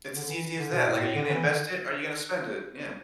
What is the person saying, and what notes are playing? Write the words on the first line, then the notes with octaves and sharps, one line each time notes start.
It's as easy as that, like, are you gonna invest it? Are you gonna spend it? Yeah.
D3
E3
E3
D3
B2
A2
A2
D3
E3
D3